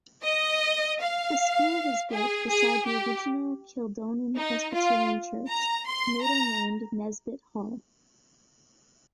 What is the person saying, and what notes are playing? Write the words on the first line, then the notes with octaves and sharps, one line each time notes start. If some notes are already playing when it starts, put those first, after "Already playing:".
A school was built beside the original Kildonan Presbyterian Church, later named Nisbet Hall.
D#5
F5
G#4
G#4
G4
D#4
F4
A#5
C6
A#5